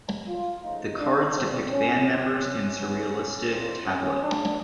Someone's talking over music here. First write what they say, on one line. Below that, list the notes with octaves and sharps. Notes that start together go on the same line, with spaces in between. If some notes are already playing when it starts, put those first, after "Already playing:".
The cards depict band members in surrealistic tableau.
F4
C#3 F3 A3 D#4
D4
A#2 F3 G#3 B3 C4
C#4
A#2 F#3 A#3 C4
C#4
A2 F#3 B3
F2 C#3 E3 G3 A#3 C4
C#4
F#2 C#3 F#3 A#3 D4